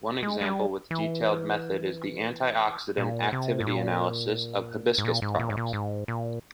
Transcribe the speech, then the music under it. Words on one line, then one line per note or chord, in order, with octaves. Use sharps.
One example with detailed method is the antioxidant activity analysis of Hibiscus products.
G#3
G#3
G3
E3
A#2
C3
G#2
A#2
G#2
A#2
G#2
A#2
G#2
A#2
G#2
A#2